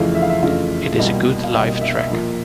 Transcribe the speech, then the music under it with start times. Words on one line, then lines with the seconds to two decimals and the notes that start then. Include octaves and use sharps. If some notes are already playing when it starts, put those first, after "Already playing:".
It is a good live track.
Already playing: F2 C#3 E3 A3 F4 F5
0.15 E5
0.22 F5
0.30 E5
0.43 F2 C#3 E3 A3 F4 F5
0.99 C2 B2 G3 A#3
1.44 F5
1.54 C2 B2 G3 A#3 E5
1.68 D#5
1.81 E5
1.95 E5
2.09 A#2 F3 A#3